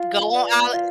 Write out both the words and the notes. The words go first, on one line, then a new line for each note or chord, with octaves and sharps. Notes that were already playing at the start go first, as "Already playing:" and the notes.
Go on out
Already playing: F4 F5
B4 D5
F4 F5